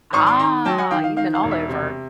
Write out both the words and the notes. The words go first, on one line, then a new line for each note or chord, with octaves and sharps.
Ah, you've been all over.
G#1 C#6 D#6
C6 D6
D#3 A#5 C6
F#3 G5 A5
F#5 G#5
D#3 F5 G5
F5
D#3 F5
F5
E1
E5
C3